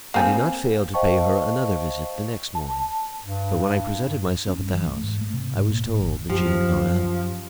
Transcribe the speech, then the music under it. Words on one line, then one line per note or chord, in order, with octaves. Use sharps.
I did not fail to pay her another visit the next morning, but when I presented myself at the house I was told that she had gone out.
A#3 C4 A4 F5 G#5
C5 D#5 F5 G5 A5 C#6
A5
G2
C#4
G2
E3
A3
G#2
A3
C3
G#2
A#2
A2
G1
F#2 F3 G4